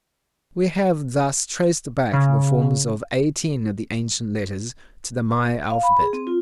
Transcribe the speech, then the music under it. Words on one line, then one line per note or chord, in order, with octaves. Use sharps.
We have thus traced back the forms of eighteen of the ancient letters to the Maya alphabet.
C#3
F5
B5
G#4
C4
F4